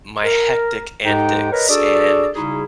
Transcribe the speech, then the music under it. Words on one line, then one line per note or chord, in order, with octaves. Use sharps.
my hectic antics and
A#4
G#2 G#3 D#4 G4 A4 G5
A#4 B4 C#5 D#5
D4 F#4 G#4 A4 D5
C#3 G3 D#4 E4 F#4 G#4